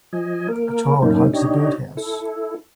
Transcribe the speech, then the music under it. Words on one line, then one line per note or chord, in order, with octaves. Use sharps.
A child hugs a birdhouse.
F3 D#5 G#5
A#3 A#4
F#2 A2 D#3 A#3 C#4 D#4
D4 D#4 G4 C#5 D#5
E4 A4